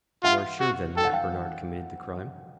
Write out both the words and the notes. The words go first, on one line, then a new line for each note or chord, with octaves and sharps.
"You are sure, then, that Bernard committed the crime?"
F4 E5 F#5
F#4
A4 G5
F#5
F5 G5